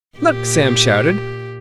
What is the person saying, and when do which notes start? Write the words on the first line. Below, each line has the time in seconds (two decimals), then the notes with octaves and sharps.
"Look!" Sam shouted.
0.18 A#2 G4